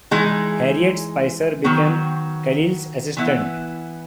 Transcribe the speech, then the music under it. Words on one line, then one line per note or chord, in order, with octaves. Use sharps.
Harriet Spicer became Callil's assistant.
E3 G#3 D#4 G#4
D#3 F#3 B3
E3 B3 E4